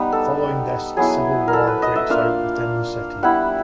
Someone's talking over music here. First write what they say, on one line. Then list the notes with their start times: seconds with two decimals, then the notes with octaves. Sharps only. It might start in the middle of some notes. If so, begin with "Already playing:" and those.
Following this a civil war breaks out within the city.
Already playing: G3 B3 D#4
0.12 A4
0.97 F#3 B3 E4 G#4
1.48 A#4
1.53 A4
1.67 B4
1.82 D#5
1.96 E5
2.10 A#3 D4 F4 F5
3.23 G3 B3 E4 F#5